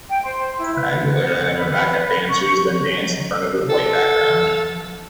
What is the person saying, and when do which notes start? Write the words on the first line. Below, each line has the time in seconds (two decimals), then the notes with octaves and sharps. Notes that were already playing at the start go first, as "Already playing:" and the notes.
Aguilera and her backup dancers then dance in front of a white background.
0.09 G5
0.23 C5
0.59 E4
0.75 B4
1.12 F#5
1.55 B4
2.30 C#6
3.69 A4